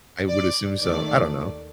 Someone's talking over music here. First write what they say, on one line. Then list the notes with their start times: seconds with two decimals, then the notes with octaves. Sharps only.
I would assume so, I don't know.
0.28 D5
0.79 D#2 D#3 A3 D5